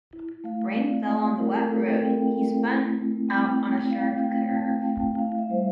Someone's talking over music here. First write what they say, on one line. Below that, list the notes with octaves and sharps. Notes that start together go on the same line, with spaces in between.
Rain fell and on the wet road he spun out on a sharp curve.
E4
A3 F5
C4 D5
A3
E4 A#4
A4
G4
A#4
A3 A4
G5
C4 G5
A3
E4
A3
C4 G5
A3
E4 F5
A3 G5
G5
C4 A5
G5
A3
G5
E4 F5
E5
G3 C5